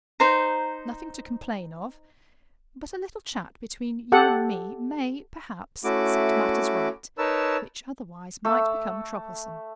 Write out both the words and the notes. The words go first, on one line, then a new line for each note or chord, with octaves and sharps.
"Nothing to complain of; but a little chat between you and me may, perhaps, set matters right, which, otherwise, might become troublesome."
D#4 C5 A#5
G4 A4 F#5
A3 C#4 E4 F#4 D6
D#4 A#4 B4 C#5 A5 E6
A3 E6